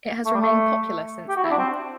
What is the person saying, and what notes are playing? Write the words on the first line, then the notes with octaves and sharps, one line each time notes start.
It has remained popular since then.
A3
G3
A3
G4
F#4
E4
D4
C4